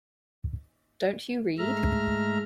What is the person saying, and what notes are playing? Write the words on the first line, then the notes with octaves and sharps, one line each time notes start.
Don't you read?
G#2 G#3 A3 E5 A#5 F6